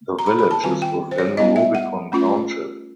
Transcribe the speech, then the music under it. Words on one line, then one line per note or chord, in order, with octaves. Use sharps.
The village is within Rubicon Township.
A#5
B5
B5
A5
D#3 G3 C4 F4 G#5
G5
C5
C#5
G3 B3 E4 D#5
E5
F#5
A3 C#4 F4